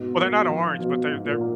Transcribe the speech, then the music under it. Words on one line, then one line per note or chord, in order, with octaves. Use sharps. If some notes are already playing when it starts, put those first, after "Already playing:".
Well, they're not orange, but their their
Already playing: G#2 B2
A#3
F3
B2 F3
G#2
A#2
A#3